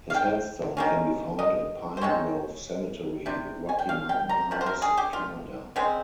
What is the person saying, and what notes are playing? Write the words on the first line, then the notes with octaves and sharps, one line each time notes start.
His headstone can be found at Pine Grove Cemetery, Rocky Mountain House, Canada.
F5
G5
D#3 A#3 C#4
D#5
C5
D#3 G#3 C4 C#5
C3 G3
G#5
G5
F5
G5
A#5
C3 F3
C5
A#4
G#4
G4
F4
C#3 G#3 C4